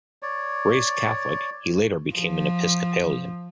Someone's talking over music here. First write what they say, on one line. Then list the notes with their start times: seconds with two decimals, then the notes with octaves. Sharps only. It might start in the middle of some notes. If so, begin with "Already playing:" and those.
Raised Catholic, he later became an Episcopalian.
0.23 C#5 D5
2.15 F3